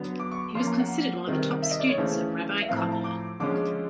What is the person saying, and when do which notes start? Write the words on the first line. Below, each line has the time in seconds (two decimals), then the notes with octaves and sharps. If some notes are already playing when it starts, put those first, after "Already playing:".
He was considered one of the top students of Rabbi Kotler.
Already playing: D3 F#3 B3
0.20 D6
0.32 C#6
0.55 F3 A#3 C#4 C6
0.67 A#5
0.79 F#5
1.27 C3 D#3 G3 C4
1.62 E5
1.71 D#5
1.80 D5
1.89 C#5
1.98 C#3 E3 A3 C#4 C5
2.62 E5
2.68 A2 F3 A3 C4 F5
2.81 A5
2.92 A#5
3.04 D6
3.40 D3 F3 G#3 C#4 D6